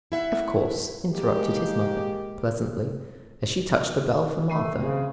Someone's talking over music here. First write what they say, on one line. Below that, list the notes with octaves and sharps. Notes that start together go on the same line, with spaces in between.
"Of course," interrupted his mother, pleasantly, as she touched the bell for Martha.
E4 E5 F#5
G#3 A#3 G4
A3 B5 C7 D#7
C#3 C4 G#4